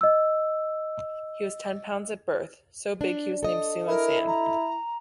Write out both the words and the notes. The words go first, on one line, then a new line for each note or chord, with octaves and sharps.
He was ten pounds at birth, so big he was nicknamed "Sumo Sam".
D#5 E6
D4
A4 D#5
E4 A#4
A#5